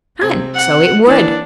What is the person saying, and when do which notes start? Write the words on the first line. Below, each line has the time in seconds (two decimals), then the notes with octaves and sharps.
And so it would.
0.21 C3 C4 G#6
0.55 F#5
1.07 E3 A#3 D4